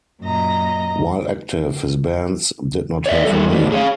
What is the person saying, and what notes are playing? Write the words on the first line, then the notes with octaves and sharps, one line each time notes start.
While active, his bands did not have a name.
F#2 A#2 D#5 A#5
C#5 D5 E5
E3 G3 A4
D#3 A3
G#4 C#5 E5 F5